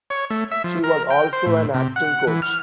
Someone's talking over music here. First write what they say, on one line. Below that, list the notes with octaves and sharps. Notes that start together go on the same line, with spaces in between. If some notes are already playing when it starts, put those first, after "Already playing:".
She was also an acting coach.
C#5
A3
E5
F3
A#4
G5
C5
A2
C3
F#5
E3
F6